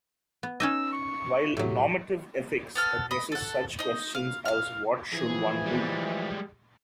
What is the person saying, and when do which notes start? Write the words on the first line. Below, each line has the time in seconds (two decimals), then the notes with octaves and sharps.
While normative ethics addresses such questions as What should one do?
0.43 B3
0.60 C#4 D#4 D#5 E6
0.93 C#6
1.57 A2 F#3 G4
2.75 B3 A4 F6
3.11 D#5 B5
3.32 A4 F#5
3.79 D#4 D#5
4.15 F5
4.45 F5 F6
5.13 E3 F3 G#4
5.66 G3 G#3